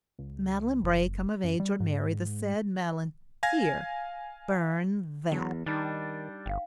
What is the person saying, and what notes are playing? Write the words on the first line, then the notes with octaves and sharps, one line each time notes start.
"Madeline Bray--come of age or marry--the said Madeline"--here, burn THAT!'
C#2
F#1
F#2
G3
G#2
F5 G#5 G#6 A#6
E2 F#3
D#3 G3 D4 D#4
G1 F5 G5